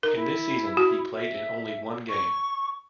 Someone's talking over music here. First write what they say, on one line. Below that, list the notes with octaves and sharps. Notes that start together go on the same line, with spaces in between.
In this season he played in only one game.
D#4 A#4
E4
F#4
E5
C#6